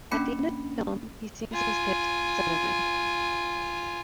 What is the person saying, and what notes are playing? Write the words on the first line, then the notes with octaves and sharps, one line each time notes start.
At the end of the film, he sings his hit Suddenly.
A#3 C#4 D4 B5 C#7
F4 G#5